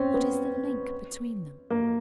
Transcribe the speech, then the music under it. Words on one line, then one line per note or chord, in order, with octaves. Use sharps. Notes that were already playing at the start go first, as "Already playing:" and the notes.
What is the link between them?
Already playing: C4 C#4
B3
A#3